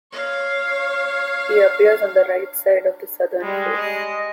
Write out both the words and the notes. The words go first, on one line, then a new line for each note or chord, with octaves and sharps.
He appears on the right side of the southern face.
C#5 F5
G3 G#3
D#5